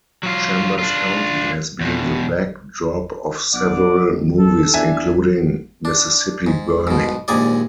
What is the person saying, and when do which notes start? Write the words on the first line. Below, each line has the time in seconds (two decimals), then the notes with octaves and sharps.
Chambers County has been the back drop of several movies including Mississippi Burning.
0.23 F#3 F4
0.79 D4 F4
1.81 E2 B2
3.53 B1 D5 F#5 D6
3.89 F2
4.39 A4
4.74 E2 D4 E5 G#5 A5
5.85 D4
6.47 G#2
6.87 G#2 B2
7.28 A#1 D#2 G#2 G#4 D5